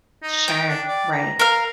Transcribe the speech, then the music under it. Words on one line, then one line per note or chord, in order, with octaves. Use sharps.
Sure, right.
D#4
G5
D4
D5
A#5
A#4 F5 A#5